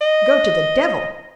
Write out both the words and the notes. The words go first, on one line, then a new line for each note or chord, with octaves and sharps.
Go to the devil!
D#5